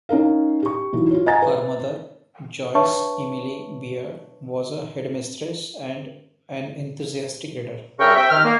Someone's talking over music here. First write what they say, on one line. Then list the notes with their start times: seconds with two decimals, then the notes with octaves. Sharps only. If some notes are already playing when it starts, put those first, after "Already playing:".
Her mother, Joyce Emily Beard, was a headmistress and an enthusiastic reader.
0.09 C#4 D#4 A#4 F5
0.63 G4 C#6
0.93 B1 E3
1.11 F4 C#5
1.26 D#5 F#5 G#5 A#5 A6
1.42 B4
2.75 D4 B4 C#5 E5 A5 C#6
7.99 G2 C#3 A#4 E5 G5 C#6
8.15 C3 E5 G5
8.30 D#3 F6
8.44 A#3